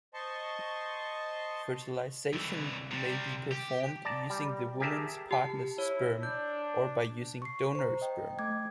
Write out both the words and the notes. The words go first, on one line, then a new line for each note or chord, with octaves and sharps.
Fertilization may be performed using the woman's partner's sperm or by using donor sperm.
C5 D#5 A5 C6 C#6
C2 E3
C3 G3
G4
D5 A5 A#5
G3
G4 G#4 A#4 E5 A5
G4 A5
E4 C#5
D4 G6
C#6 C7
C5 A#5
D#5 G5
A3 D6 G#6